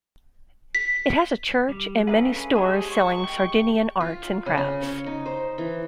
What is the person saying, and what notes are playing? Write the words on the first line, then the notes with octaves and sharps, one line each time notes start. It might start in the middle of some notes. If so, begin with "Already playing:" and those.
It has a church and many stores selling Sardinian arts and crafts.
B6
G3
C#4 D4 G#4 A4 B4 E5 F5 A#5
G#3 G4 G#4 C5 C#5 A5
C#6
G5
F4
C#3
C#3
C#5
D#4
C5
E3